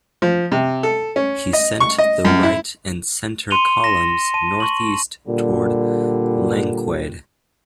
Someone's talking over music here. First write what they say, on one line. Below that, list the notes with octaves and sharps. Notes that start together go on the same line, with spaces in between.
He sent the right and center columns northeast toward Langquaid.
F3
C3
A4
C#4
D#5
C#6
D#5
F#2
E4
C6 C#7 D#7 F7 G7
A#6 E7
A5 D#7
C#6 F#7
A#2 D3 G3